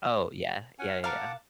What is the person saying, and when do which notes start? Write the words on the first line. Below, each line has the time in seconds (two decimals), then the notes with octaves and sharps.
Oh, yeah, yeah, yeah, yeah.
0.79 C#4 F#5 G#5
1.04 A#4 F5 F#5 A5 D6